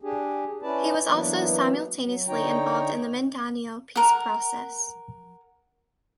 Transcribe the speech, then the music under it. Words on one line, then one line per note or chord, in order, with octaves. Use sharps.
He was also simultaneously involved in the Mindanao peace process.
D4 G4 G#4
C#4 E4 B4 D5 A5
E3 F#3 A#3 B3 D4
F#3
D3 D#4 C#5 G5 A#5
A#4 F#5